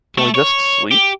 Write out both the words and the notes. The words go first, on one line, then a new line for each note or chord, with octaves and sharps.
Can we just sleep?
A3
C#5
G4